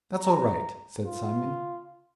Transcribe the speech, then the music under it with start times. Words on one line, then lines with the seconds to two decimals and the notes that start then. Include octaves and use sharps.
'That's all right,' said Simon.
0.17 A#5
1.05 F4